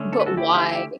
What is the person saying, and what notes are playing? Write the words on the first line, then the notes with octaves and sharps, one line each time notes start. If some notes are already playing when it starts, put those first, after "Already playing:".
But, why?
Already playing: D3 A3 C#4
A4
B4
F#4 A4
E4 G4
E4 G4
E4 G4